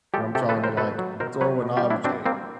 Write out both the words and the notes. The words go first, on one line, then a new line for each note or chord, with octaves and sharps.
and I'm trying to, like, throw an object,
F3 G#3 G4 A4
C3 G4 A4
A4 B4
F3 G#3
A#4 C5
B2 A4 B4
F#3
B2 A#4 C5
F#3 B4 C#5
B2
F4 G4
G3
D4 E4
B2 C4 D4
G3 A#3 C4